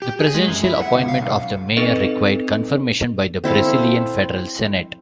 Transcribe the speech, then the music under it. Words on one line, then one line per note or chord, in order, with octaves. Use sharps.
The presidential appointment of the mayor required confirmation by the Brazilian Federal Senate.
G4
G#4
G#3
F#2
E4
F#5
C#2
F5
B1
C4 D#4 A4 B4 D#5
C4 E4 A4 F5